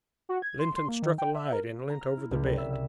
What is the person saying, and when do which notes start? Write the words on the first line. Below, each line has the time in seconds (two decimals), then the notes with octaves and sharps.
Lynton struck a light and leant over the bed.
0.29 F#4
0.42 G#6
0.59 C6
0.76 C6
0.88 A#3
1.02 D#3
1.18 G5
1.35 E5
1.53 A#4
1.90 A#5
2.01 F6
2.17 E4
2.31 C#2
2.44 C2
2.58 E5
2.73 E5